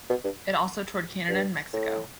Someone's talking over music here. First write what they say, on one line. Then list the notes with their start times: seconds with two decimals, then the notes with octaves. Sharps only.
It also toured Canada and Mexico.
0.09 B2
0.24 G2
1.29 G2
1.73 A2